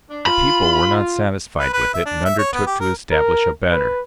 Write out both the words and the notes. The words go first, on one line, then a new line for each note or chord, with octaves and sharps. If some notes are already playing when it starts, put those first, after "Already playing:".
The people were not satisfied with it, and undertook to establish a better.
D4
F4 B5
B4
B4
E5
D4
E5
C#5
B3
G4
A#4
A#4
B4